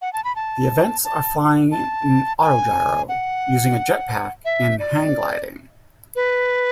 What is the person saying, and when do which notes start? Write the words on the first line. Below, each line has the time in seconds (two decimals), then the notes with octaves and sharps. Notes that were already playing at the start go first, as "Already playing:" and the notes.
The events are flying an autogyro, using a jet pack, and hang gliding.
0.02 F#5
0.13 A5
0.24 B5
0.36 A5
1.04 A5
1.72 A5
2.41 G#5
3.09 F#5
4.45 E5
4.79 D5
6.16 B4